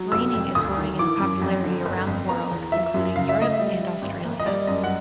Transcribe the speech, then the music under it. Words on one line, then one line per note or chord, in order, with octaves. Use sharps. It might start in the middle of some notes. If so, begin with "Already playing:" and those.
Reining is growing in popularity around the world, including Europe and Australia.
Already playing: F#3
F1 E6
F2
D2 D#6
D#3
E3 D6
F#2
F2
D3
G1
F2
B3 A#5
E2
F3 E5
F#2
C#3 F5
E5
A3 D#5
E5
G3
G3
G#1
A#3
D#5
G3 D5
F#2 D#5
F#5